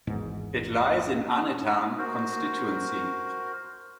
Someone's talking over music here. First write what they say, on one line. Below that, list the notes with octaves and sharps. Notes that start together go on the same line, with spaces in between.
It lies in Anetan Constituency.
G#1 E2 G#2
F#4 A#4 C5